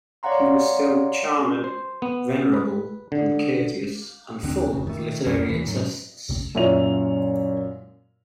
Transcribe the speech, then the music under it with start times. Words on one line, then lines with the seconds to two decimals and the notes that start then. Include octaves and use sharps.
He was still charming, venerable, and courteous, and full of literary interests.
0.23 C#5 D5 F5 F#5 A#5 C6
1.64 C5
2.02 B3
2.54 B4
3.12 D3
4.43 D#2 D3 C4 D4
4.69 D1 F2 C#3
4.87 D#3 A3
5.26 F2 G3 B3 C#4
5.48 D#2 C3 D#3 E3
5.65 G#2 F#3
6.55 F#2 A#2 E4 F4 C#5 F7